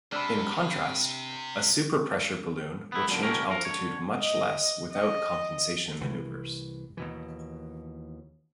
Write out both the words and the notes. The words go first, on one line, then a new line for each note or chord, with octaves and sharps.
In contrast, a superpressure balloon will change altitude much less without compensation maneuvers.
C3 D4 B5 E6 F6
B3 E4
F#2 A#2 D3
B2 D3 A3 C#4 G4 A#4
F3 A#4
D3 C#5
D#5
D#5
C2 E3
D#2 B2 E3